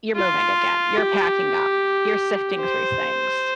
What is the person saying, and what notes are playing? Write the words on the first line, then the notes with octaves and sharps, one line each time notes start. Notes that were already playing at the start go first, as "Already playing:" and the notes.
You're moving again, you're packing up, you're sifting through things
F4
G4
C5